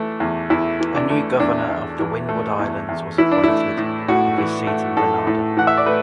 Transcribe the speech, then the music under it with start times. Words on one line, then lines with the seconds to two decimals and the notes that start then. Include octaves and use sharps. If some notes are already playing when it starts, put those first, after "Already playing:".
A new Governor of the Windward Islands was appointed, with his seat in Grenada.
Already playing: E3 A3
0.20 E2
0.50 E2 E4
0.81 E3
0.95 D4
1.10 A3
1.40 E2 D4
1.69 E2
1.99 E3
2.29 A3
2.59 E2
2.89 E2
3.18 E3 E4
3.31 D4
3.44 A3 E4
3.78 A2
4.08 A2 F#4
4.38 E3
4.67 A3
4.97 A2 A4
5.27 A2
5.57 E3 F#5
5.67 E5
5.77 D5
5.86 A3 B4